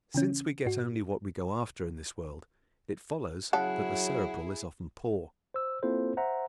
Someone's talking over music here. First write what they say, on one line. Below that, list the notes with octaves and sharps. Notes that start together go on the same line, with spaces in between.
Since we get only what we go after in this world, it follows that the Cerebral is often poor.
C#3 E3 C#4
G#2 F#4
C#3 F#3 E4 G#4 F#5 A5
C5 E6
A#3 C4 E4 F4 A4 C5
C5 E5 F#5 A#5